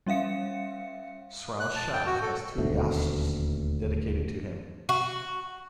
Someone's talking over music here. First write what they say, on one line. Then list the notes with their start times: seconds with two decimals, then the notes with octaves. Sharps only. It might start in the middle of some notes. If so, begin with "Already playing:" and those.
Sraosha has two yashts dedicated to him.
0.07 G3 C#4 E5 F5 C#7
1.60 F#6
1.75 A5
1.93 G5
2.06 F#4
2.22 A4
2.58 D#1 D2 B2 A3
4.89 F#4